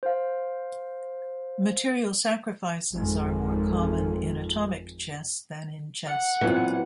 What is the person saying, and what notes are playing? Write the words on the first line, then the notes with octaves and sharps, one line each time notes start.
Material sacrifices are more common in atomic chess than in chess.
C5 F5
G#1 F2 G#2
F#5
A#2 E3 F#3 B3 C4 F#4